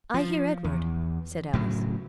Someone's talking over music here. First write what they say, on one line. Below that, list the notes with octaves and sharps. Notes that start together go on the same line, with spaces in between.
"I hear Edward," said Alice.
F3
E2
A2 C#3 F#3